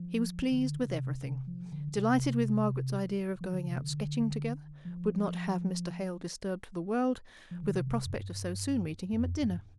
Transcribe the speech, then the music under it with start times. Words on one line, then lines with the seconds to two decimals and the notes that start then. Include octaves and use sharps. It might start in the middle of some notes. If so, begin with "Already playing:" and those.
He was pleased with everything; delighted with Margaret's idea of going out sketching together; would not have Mr. Hale disturbed for the world, with the prospect of so soon meeting him at dinner.
Already playing: F3
0.52 D3
0.83 D3
0.88 C3
1.24 C3
1.47 F3
1.72 D3
1.96 C3
3.41 F3
3.53 D3
3.67 C3
3.80 D3
4.85 F3
7.51 F3
7.63 D3
7.74 C3
8.06 F2
8.10 G2
9.13 G2
9.18 F2
9.42 G2